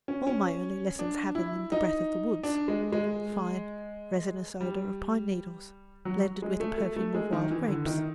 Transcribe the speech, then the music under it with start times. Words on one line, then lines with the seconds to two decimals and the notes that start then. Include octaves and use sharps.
All my early lessons have in them the breath of the woods--the fine, resinous odour of pine needles, blended with the perfume of wild grapes.
0.08 C#4
0.27 C#4
0.99 D4
1.35 E4
1.72 D#4
2.43 D4
2.68 G#3
2.92 G#3
4.61 G3
6.05 F#3
6.42 G#3
6.60 A3
6.78 A3
6.96 A3
7.14 G#3
7.32 D#3
7.51 E3
7.68 D3
7.86 D#3